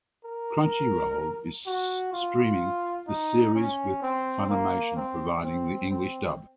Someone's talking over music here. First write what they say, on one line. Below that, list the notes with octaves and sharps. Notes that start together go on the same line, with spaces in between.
Crunchyroll is streaming the series with Funimation providing the English dub.
A#4
F#4
F4
D#4
C#4
C4
A#3
C4
C4
C4